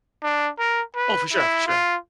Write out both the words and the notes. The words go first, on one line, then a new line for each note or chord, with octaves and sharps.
Oh, for sure, for sure.
D4
A#4
B4
E4
F4